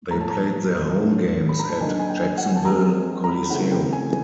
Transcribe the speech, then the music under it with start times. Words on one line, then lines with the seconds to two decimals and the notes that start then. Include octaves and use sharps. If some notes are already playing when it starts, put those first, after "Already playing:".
They played their home games at Jacksonville Coliseum.
0.11 A2 F3 A#3 A#5
0.20 A5
0.30 A#5
0.96 A2 F#3 A3 D4
1.49 B5
1.59 A#5
1.69 A5
1.80 D3 F#3 A#3 D#4 G#5
2.00 G#5
2.09 G5
2.37 F#5
2.56 A5
2.65 F3 G#3 C4 A#5
3.24 A#5
3.29 B5
3.50 C#3 E3 A3 C4 F#5
3.71 G5
3.93 G#5